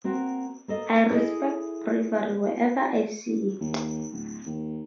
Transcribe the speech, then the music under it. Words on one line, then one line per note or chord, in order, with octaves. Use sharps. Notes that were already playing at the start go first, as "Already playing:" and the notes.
I respect bravery wherever I see it.
A#3 C4 F#4
A#3 A4 D#5
E4 G#4 A4 B4 D#5
D#2
D1
D#2